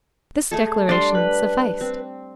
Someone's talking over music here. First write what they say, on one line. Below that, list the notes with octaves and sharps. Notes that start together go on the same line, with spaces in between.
This declaration sufficed.
A3 G#4 A4
G3 D4 D5 C6
B4
C4